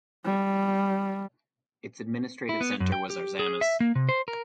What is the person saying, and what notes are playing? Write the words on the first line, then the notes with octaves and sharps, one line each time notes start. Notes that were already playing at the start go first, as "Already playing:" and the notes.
Its administrative centre was Arzamas.
G3
E4
B3
F#2
G5
G4
G#4
E5
A#3
C3
C5
A#4